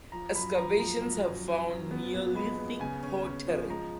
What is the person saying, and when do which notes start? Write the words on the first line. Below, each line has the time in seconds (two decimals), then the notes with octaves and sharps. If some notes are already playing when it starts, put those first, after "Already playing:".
Excavations have found neolithic pottery.
0.12 F3 A#5
0.34 F#2 B5
0.58 F3 A#5
0.79 F3 A#5
1.02 F#2
1.25 F#2
1.47 F3
1.68 F#2
1.91 B3
2.14 A#2
2.35 G#3 B5
2.58 B3
2.80 C#3 G#5
3.03 C#4
3.25 C#4
3.47 F3
3.69 G#3 A#5